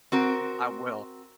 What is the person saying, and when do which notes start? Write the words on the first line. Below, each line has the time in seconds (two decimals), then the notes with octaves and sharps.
I will.
0.12 C4 F#4 A#4